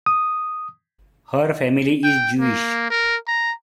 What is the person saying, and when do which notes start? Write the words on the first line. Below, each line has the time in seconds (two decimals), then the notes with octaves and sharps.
Her family is Jewish.
0.06 D#6
2.04 G5
2.40 A#3
2.90 A#4
3.28 A#5